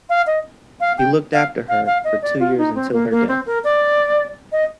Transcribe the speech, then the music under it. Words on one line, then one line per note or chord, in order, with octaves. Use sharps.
He looked after her for two years until her death.
F5
D#5
F5
G5
F5
F5
F5
D#5
D5
F4
D#4
C4
A#3
A#3
C4
A#4
D5
D#5